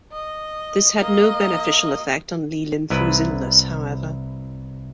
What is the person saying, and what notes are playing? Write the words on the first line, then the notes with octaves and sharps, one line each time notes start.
This had no beneficial effect on Li Linfu's illness, however.
D#5
A#3 D#5
C2 E4 B4